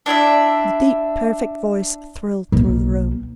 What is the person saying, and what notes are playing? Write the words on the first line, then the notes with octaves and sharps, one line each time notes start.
The deep, perfect voice thrilled through the room.
D4 E4 D5 E5
B1 A#3